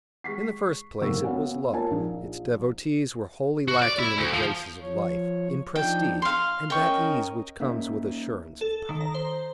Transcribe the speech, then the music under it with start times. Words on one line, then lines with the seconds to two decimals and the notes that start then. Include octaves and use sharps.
In the first place it was low; its devotees were wholly lacking in the graces of life, in prestige, and that ease which comes with assurance of power.
0.24 G#3 C#6 B6 C7
1.01 F#1 G#2 D3 A#3 C#6 E6
1.24 B3 F#4 C#5 F5 F#5 G#5
1.72 A#3 F4 A#4 C#5 G#5 A5
1.91 A#1 D4 D#4
3.68 F#4
3.82 D5
3.99 E4
4.18 D2
4.34 F3
4.82 F3 C#5
5.76 F3 D4 D#4 G5
6.22 F5 C6 F6
6.70 C#4 A#4 D#5 G5 C#6
7.60 A#3 C#4 D#4 E5
8.61 A4
8.89 D#3
9.01 A#5
9.14 C5